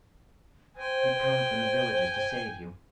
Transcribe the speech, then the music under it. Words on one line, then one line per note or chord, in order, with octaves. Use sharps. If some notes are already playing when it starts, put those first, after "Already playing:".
He'd come from the villages to save you.
C5 G5 G#5
C5